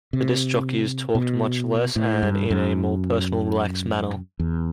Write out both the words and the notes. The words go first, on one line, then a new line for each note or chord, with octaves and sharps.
The disc jockeys talked much less, and in a more personal, relaxed manner.
C3
B2
A2
G2
F#2
E2